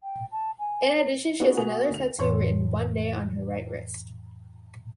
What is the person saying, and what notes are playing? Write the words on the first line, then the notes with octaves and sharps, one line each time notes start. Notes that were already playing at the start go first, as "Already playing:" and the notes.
In addition she has another tattoo written "One Day" on her right wrist.
G5
A5
G#5
C#5
B3 D4 D#4 F4 F#4 G#4
B2 A#3 F#4 G#5 D#6 F7
D2 F7
F2 A2 E3 C#5 C6